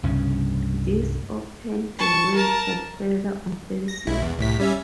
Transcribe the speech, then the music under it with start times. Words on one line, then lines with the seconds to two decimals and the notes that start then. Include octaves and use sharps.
This opened the way for further offensive.
0.03 C2 G2 C#3 C#4
1.98 A5 C#6
2.34 A#4 A5
3.88 A#6
4.07 B1 E4
4.22 E2
4.38 C2 A2 B6
4.60 G3 C#4 E5